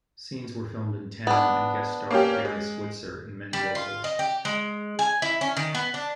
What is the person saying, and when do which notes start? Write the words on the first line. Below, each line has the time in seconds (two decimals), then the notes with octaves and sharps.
Scenes were filmed in town and guest starred Barry Switzer and many locals.
1.27 B3 D4
2.11 A#3 C#4 G4
2.45 G#3
3.53 G3
3.75 F4
4.04 D#5
4.19 G4
4.45 G#3
4.99 G#5
5.22 E4
5.41 C#4
5.57 D#3
5.75 B3
5.94 D4